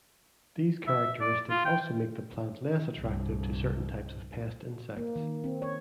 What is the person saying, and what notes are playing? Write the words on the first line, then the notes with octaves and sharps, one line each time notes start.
These characteristics also make the plant less attractive to certain types of pest insects.
E5
D5
F4
G5
C2 G2
A#3
D#3
C4
C#5